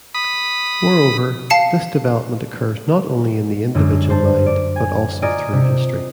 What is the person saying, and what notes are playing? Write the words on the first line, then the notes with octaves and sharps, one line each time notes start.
Moreover, this development occurs not only in the individual mind, but also through history.
B5 D#6
F5 A5 C7 C#7
F#2 D3 G#3 D4
C5 A5
D4 D5
G#5
F4 D5 D#5 G#5 A#5
C3